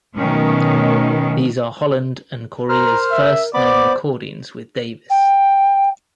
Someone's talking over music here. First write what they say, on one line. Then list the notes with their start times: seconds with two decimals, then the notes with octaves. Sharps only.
These are Holland and Corea's first known recordings with Davis.
0.17 B2 D#3 F#3 A3 C#4
2.69 A#4 C5 A#5 F6
3.11 E5
3.54 B3 C5 D5 B5 D6
5.10 G5